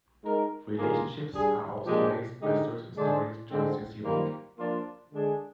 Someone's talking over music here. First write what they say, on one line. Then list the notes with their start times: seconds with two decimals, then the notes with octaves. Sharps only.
Relationships are also raised by certain story choices you make.
0.23 G#3 D#4 A#4
0.78 G2 D#3 A#3 F4 G#4
1.32 G3 D4 G#4
1.86 A#2 F3 G#3 D4 G4
2.40 D3 G#3 D#4 G4
2.95 D3 G#3 D4 G#4 C5
3.50 D3 G#3 C4
4.04 D#3 G3 A#3 F4 C5
4.58 F3 A#3 D4 F4
5.12 D3 G#3 D4 G#4